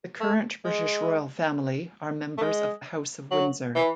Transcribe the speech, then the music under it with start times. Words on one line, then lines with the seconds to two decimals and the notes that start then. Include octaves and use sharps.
The current British royal family are members of the House of Windsor.
0.21 A3
0.65 G#3
2.38 A3
2.42 G#3
3.31 F#3
3.75 E3